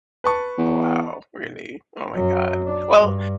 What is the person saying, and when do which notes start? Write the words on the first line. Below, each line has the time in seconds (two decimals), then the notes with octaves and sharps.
wow, really? Oh my god. Well,
0.24 B4 A5 C#6
0.58 E2
2.13 F#2 F#3
2.66 D4
3.00 G2